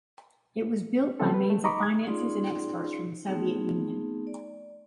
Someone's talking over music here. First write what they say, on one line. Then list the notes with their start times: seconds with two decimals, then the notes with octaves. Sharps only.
It was built by means of finances and experts from the Soviet Union.
1.20 C#3 F3 A3 C4 C#4 A4
1.34 B4
1.50 A3
1.64 D#4 D#5 A#5 B5 C#6 D6
1.83 G#6
2.06 C#4 D#4 F4 G#4 D5 C6
3.25 A3 B3 C4 D#4 G#4
4.27 D5